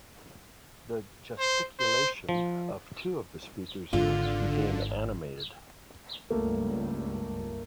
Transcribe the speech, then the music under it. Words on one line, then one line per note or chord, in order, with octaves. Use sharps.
The gesticulation of two of the speakers became animated.
C5
C5
F3
G#1 G#2 D3 F4
C#2 G2 A3 A#3